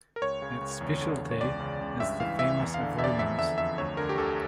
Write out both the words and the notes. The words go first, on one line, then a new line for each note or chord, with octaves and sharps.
Its speciality is the famous of Romans.
A#4
C#2 C#5
C#3
C#2
E2
D3
E2
C#5
C#2 D5
C#3
C#2
G2 E5
E3 F5
E3 E5
E2
F5
D3
E2 E5
D5
F2 E5
D3 E5
F2 E5
D2 C#5
D3 A#4
G4
D2 A4